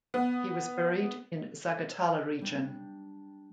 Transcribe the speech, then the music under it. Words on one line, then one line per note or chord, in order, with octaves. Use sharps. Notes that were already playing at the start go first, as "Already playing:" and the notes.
He was buried in Zagatala region.
B3
G3 D4